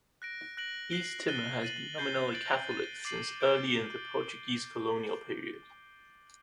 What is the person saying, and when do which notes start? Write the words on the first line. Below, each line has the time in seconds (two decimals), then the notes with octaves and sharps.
East Timor has been nominally Catholic since early in the Portuguese colonial period.
0.22 F#6 A#6 D7
0.57 F#6 A#6 D7 F#7
0.93 F#6 C7 F#7
1.28 F#6 A6 D#7 G7
1.63 A6 D#7 F#7
1.98 G6 C7 G7
2.34 A6 D7 F#7
2.69 A6 D#7 G7
3.05 D6 A6 C7 F#7
3.41 G6 D7 G7